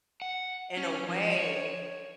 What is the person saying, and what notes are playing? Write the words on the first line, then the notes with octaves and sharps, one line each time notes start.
in a way
F#5
C#4
F3
C#5